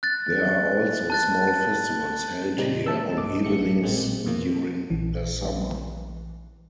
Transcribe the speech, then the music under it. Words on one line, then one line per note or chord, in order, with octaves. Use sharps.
There are also small festivals held here on evenings during the summer.
F#6 A6
A5 F#6 A6
A#2 C#3 G3 C4 D#4 G4
E5 A5 E6
B1 G2 D#5 D6
A1 A3 C#7
A1 A#2 G#3 A#3 C4
F2 B2 E3 A#3
A#1 E3